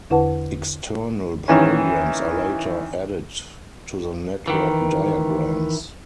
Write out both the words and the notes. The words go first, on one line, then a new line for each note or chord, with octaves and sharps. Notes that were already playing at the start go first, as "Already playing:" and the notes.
External programs are later added to the network diagrams.
E2 D3 E4 B4 F#5 A5
D#3 E3 C#4
D#3 E3